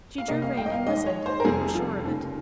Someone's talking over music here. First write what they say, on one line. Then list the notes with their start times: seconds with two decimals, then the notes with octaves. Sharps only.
She drew rein and listened, and was sure of it.
0.18 F5
0.28 C2 C3 G3 A#3 D#5
0.42 F5
0.57 G5
0.66 D#5
0.72 F5
0.86 D#2 D#3 G#3 D#5
0.97 D#5
1.06 C#5
1.26 C5
1.40 A#4
1.45 F1 F2 C3 G3 G#4
1.74 F4
2.03 F1 D#2 C#3